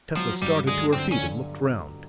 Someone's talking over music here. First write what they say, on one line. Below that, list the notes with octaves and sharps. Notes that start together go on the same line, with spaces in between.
Tessa started to her feet and looked round.
F3 F#3
G2 G3
D3 G#3
D3 C4
C#4